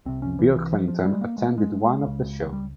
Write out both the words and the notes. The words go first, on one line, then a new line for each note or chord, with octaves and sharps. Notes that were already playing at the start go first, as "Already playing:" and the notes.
Bill Clinton attended one of the shows.
C2 C3 C4
C#4
E3
E3
F3
F3
G3
G#3
A#3
G#3
A#3
G#3
C#2 C#3
G3